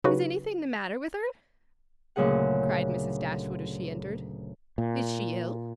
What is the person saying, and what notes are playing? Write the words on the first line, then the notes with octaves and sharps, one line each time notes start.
"Is anything the matter with her?" cried Mrs. Dashwood as she entered--"is she ill?"
C#3 F#3 D#4 F#4 G4 B4
D2 A#2 C#3 F#3 G#4 F#5
A#2